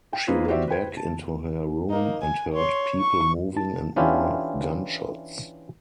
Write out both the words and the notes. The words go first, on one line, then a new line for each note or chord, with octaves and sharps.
She ran back into her room and heard people moving and more gunshots.
G5
A#3 D#4 F4 G#4 B4 C5
F#4 G4 C5 D5 E5
B4 C5 G5 G#6
A5
A#3 D#4
G#5
C#5 C6
C#6
A5
E3 C#4 D4 E4 F4 G4